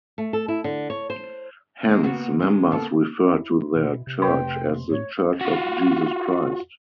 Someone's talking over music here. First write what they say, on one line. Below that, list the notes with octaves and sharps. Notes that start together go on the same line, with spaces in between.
Hence, members refer to their church as The Church of Jesus Christ.
A3
A4
E4
D3
C#5
C5
D#3 A#3
A#3 B3 F#4
D#3 G#3
A#3 B3 A4
E4
B2
C3
F1 B4 G5 C6
A2 C#5
F4 F#4